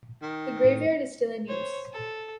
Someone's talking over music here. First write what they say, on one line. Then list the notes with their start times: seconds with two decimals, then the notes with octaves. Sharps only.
The graveyard is still in use.
0.22 D#3
0.64 A2
1.48 C5 C#5
1.93 A4